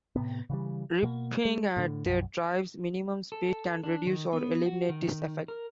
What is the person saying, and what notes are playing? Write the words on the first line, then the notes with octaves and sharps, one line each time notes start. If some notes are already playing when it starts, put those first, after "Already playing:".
Ripping at the drive's minimum speed can reduce or eliminate this effect.
A2 C3 B3
C#3 E3 G3
B2 A#3
G#3
A2 D3
B1 F#2
A4
D4
D#3
B3
F#4
D#3
A#4